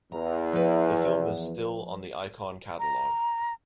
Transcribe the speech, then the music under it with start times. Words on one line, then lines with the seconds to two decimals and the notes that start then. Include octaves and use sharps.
The film is still on the Icon Catalogue.
0.12 E2 A#5
0.53 F3 B4
2.79 A#5